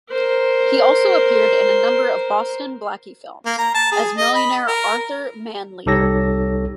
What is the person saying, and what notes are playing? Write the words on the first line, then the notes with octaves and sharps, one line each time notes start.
He also appeared in a number of Boston Blackie films as millionaire Arthur Manleder.
A#4 C5
A#3
A#5
A5
G#4
D#5
B5
A#4
C2 D#4 G4 A4 C#5 A#6